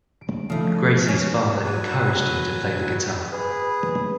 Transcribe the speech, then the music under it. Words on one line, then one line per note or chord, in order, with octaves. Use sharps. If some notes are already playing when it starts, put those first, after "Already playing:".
Gracie's father encouraged him to play the guitar.
D7
C#3 F3 A3 D#4
C#4
F#3 B4 G#5
G#4 B4